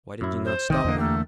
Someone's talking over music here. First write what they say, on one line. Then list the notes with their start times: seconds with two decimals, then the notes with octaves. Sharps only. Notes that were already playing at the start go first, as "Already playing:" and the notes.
"Why did you not stop him?"
0.21 F#2 E4
0.45 C5
0.70 D1 D#3 C4 D#5 G5
0.85 E2 D3 A#3
0.98 A3 G4 A#4